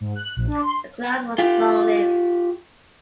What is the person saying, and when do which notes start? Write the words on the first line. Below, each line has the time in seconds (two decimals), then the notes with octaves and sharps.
The class was long-lived.
0.01 G#2
0.15 F#6
0.36 A#1
0.47 D4
0.62 C6
1.38 F4 G4